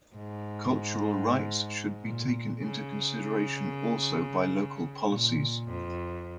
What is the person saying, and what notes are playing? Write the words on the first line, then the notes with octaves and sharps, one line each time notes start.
Cultural rights should be taken into consideration also by local policies.
G#2
A#2
C#3
A#2
F2